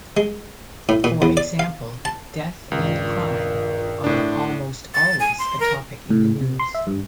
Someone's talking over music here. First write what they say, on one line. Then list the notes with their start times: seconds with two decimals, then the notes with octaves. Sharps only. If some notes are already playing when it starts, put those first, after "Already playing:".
For example: death and crime are almost always a topic in the news.
0.17 G#3
0.89 A2
1.04 A#2
1.22 E2
1.37 D5
1.59 F5
2.05 A5
2.71 C#2 G2 A#2 D#3
4.04 A2 D4
4.94 A6
5.20 G#5
5.39 C6
5.60 A#4
6.10 A2
6.41 C3
6.59 C6
6.74 E5
6.87 G2